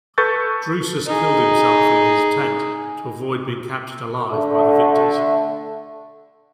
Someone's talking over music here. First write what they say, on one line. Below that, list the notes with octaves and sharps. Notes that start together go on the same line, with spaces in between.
Drusus killed himself in his tent to avoid being captured alive by the victors.
A4 B4 C#6 G6 A6
D#4 G#4
D3 A3